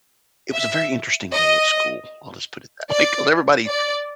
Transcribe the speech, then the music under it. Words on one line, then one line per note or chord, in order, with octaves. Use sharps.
it was a very interesting day at school, I'll just put it that way, 'cause everybody
E5
D#5
D5
D5